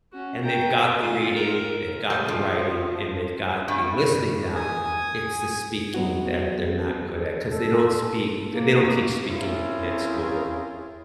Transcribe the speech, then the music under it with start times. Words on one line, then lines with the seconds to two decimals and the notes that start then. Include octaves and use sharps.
and they've got the reading, they've got the writing, and they've got the listening down- it's the speaking that they're not good at, 'cause they don't speak uh, they don't teach speaking at school.
0.13 C#4 F#4
0.42 G5 A#5
1.02 F4
1.36 A#4
2.10 G3
2.28 F3
3.68 G2 G3
4.56 G#5 D#6
5.94 F#3 B3 F#4
7.50 A4
8.50 A#3
9.27 C4 C#4 E4 F4 G#4 A#4